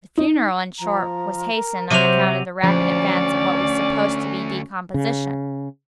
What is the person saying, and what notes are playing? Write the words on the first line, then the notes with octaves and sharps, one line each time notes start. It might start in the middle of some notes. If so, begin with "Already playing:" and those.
The funeral, in short, was hastened, on account of the rapid advance of what was supposed to be decomposition.
D#4
F3 A#5
A#4
C3 F#3 C5 E5 D#7 F7
D2 F3 C#4 D5
C#3